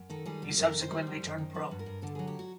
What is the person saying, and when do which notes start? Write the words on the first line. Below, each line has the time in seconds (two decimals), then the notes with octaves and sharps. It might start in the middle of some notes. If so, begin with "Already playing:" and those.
He subsequently turned pro.
Already playing: F#2
0.10 D#3 A4
0.26 G3 G#4
0.42 F#2 A4
0.58 F#2 A#4
0.75 D#3
0.82 C5
0.91 G3
1.07 F#2
1.22 F#2
1.38 D#3
1.54 F#3 B4
1.71 G2
1.79 A#4
1.86 G2
2.02 D3 A4
2.15 F#3 G#4
2.27 G4
2.39 F#4